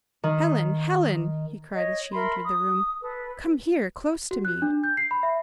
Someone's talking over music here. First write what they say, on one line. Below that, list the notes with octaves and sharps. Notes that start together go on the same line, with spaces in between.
"Helen, Helen!" he cried as she entered the room, "come here, close to me."
D#3
C#5 D#5
A#4 E5 B5 C6
D#6
A4 B4
F#4
F#6
D4
G6
C7
B5
E5